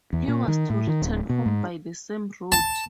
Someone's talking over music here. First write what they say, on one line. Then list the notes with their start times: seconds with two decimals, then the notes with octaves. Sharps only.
He was to return home by the same route.
0.13 E2
0.28 A#2
0.48 D#3
0.70 A2
0.88 D#3
1.02 D1
1.29 B2
1.46 G#2
2.52 A5